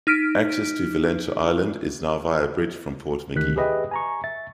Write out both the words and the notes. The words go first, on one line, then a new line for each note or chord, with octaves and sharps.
Access to Valentia Island is now via a bridge from Portmagee.
D#4 F6 B6 D7
D2 D#3 G4 F#6 B6
G4 G#4 B4 D#5 E5 G5
G#5 A#5 C#6
E5 A6